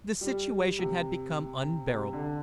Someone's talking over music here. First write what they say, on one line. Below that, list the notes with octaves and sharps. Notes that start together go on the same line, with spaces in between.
The situation had become unbearable.
G3
C3
C3
D3